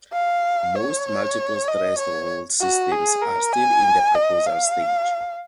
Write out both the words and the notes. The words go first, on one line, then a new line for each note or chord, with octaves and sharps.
Most multiple-threshold systems are still in the proposal stage.
F5
C#5
D#5
C#5
F#4
G#4
A#4
G#5
D#5
F5